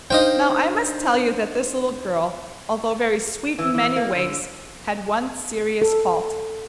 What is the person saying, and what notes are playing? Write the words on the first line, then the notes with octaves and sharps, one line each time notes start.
Now I must tell you that this little girl, although very sweet in many ways, had one serious fault.
D4 D#4 C5 D#5 F5 G5
E3
E3
A#3
D3
A4